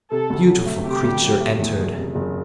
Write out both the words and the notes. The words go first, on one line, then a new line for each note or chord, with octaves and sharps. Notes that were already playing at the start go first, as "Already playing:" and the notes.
A beautiful creature entered.
C3 A4
D2
F#3
A3
C3 G4
D2
F#3
A3
E2
F#1
C3
F#1